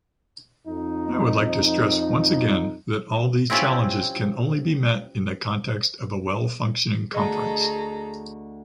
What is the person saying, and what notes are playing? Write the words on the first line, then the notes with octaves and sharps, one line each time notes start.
I would like to stress once again that all these challenges can only be met in the context of a well-functioning Conference.
F2 D#4
C4 C#4 E4 F4 G4
D2 G#4 A4 D#5 A#5 C#6